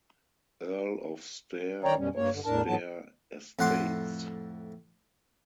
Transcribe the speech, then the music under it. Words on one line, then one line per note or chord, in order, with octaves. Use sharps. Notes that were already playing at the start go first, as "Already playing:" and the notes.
Earl of Stair of Stair Estates.
D#3 C#5 D5 G5 A#5
F#2 B2 G3 C#4
G2 A#3 C#5
G2 D3
E2 A2 D4 A#4 A5
G#2 E3 F#3 B3 A5
F2 A2 F#5 C6 D6